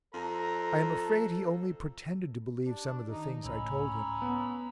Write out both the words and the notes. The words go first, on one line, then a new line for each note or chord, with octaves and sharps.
I am afraid he only pretended to believe some of the things I told him.
F2 A4 A#5
D4 G4
D#3 D#4
C#2 A2 C#4 A#5 B5 E6
B3